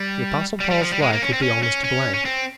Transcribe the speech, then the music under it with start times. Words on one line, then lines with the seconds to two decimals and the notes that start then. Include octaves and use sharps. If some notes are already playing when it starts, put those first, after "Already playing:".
The Apostle Paul's life would be almost a blank.
Already playing: G3
0.60 G3
0.71 G3
0.81 F3
0.92 G3
1.02 G#3
1.13 A#3
1.22 C#4
1.33 C4
1.43 C#4
1.63 C#4
1.84 C#4
2.14 C#4
2.25 C4